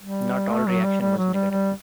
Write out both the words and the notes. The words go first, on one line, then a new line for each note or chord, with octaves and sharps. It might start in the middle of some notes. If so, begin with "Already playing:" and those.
Not all reaction was negative.
G3
A3
F#3
G3
G3
F#3
G3
G3